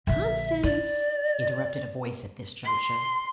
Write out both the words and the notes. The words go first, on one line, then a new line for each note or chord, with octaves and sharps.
"Constance!" interrupted a voice at this juncture.
A#1 D3 E5
E4 D5
C6